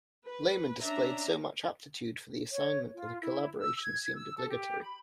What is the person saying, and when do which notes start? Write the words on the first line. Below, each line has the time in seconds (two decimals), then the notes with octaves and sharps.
Layman displayed so much aptitude for the assignment that a collaboration seemed obligatory.
0.25 B4
0.80 C#4 D4 E5 A#5
2.51 C#5
2.95 F4
3.21 E4
3.58 E6
3.81 G#6
4.14 E6
4.36 A4
4.49 G4
4.82 B5